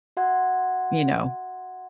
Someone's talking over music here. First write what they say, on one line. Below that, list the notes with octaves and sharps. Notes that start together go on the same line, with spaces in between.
you know,
F#4 E5 F#5 C6 G#6